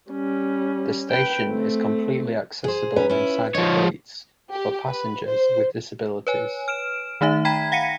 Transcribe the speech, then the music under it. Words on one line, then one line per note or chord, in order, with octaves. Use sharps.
The station is completely accessible inside the gates for passengers with disabilities.
G3 C#4
B4 G5
A3 C4
G#4 C5
C#4 B4
C#4 E4 F4
F3 D#4 C#5
G4
B4
C5
B4 C#5 G#5
F6 D7 E7
D#3 A3 D#4 E5
G5 A#5 B5 G#6 B6
F5 F#5 A#6 B6 C#7 D#7